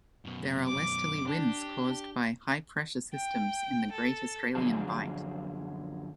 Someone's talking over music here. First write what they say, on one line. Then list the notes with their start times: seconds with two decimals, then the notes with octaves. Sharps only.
These are westerly winds caused by high pressure systems in the Great Australian Bight.
0.25 F#2 B2
0.67 D6
1.28 D4 G4
3.14 G5
3.92 A4
4.55 F#2 D3 F3 F#3 G#4 A5